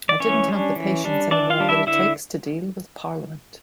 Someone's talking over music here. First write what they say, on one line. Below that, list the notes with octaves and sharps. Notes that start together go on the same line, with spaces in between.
I didn't have the patience any more that it takes to deal with Parliament.
D5
E3 C#4 C#5
G3 D4
E3
G3 D4
E3 D4 D5
F4 F5
G3 D4
E4 E5
D3 E4 E5